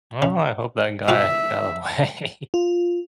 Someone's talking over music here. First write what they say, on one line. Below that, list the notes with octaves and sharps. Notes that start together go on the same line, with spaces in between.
Oh, I hope that guy got away,
C#3
G3 F4 F#4 E5
F4